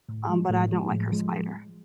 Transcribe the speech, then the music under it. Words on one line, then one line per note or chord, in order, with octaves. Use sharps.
um, but I don't like her spider.
A2
F3 G#3
A2
F3 G#3
A2
F3 G#3